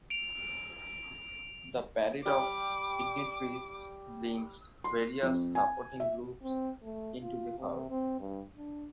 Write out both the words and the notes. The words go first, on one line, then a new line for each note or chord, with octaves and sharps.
The "Parade of Ignitaries" brings various supporting groups into the hall.
D7 F7
G3 D6
C6
F2
G#5
E5
C4
A3
F4
C3
C4
G2
D4